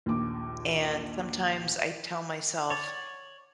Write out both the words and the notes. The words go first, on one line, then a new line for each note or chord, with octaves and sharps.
And sometimes I tell myself,
A#1 D#2 D6
C#5 D5